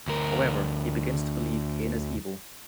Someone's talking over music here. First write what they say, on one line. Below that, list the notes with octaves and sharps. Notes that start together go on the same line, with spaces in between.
However, he begins to believe Kane is evil.
D2 A#4